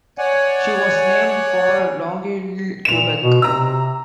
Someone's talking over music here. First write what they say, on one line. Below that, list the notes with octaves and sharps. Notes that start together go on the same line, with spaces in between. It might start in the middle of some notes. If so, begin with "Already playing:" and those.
She was named for Longueuil, Quebec.
C#5 D5 F#5 G#5
A#2 E7 F7
B2
C3 A#5 E6